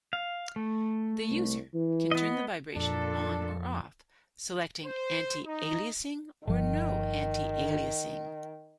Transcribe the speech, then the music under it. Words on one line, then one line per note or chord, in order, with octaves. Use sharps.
The user can turn the vibration on or off, selecting anti-aliasing or no anti-aliasing.
F5
A3
C2
E3
B3 D#5
F2 A#2 D4 A4
C5
D#4
G1 D#3 F3